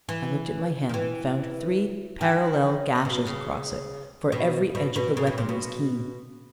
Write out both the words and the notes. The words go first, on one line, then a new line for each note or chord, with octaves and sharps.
I looked at my hand, and found three parallel gashes across it, for every edge of the weapon was keen.
E3
D#3
E3
D#3
B2
C#3
B2
B2
B2
C#3
B2
A#2
B2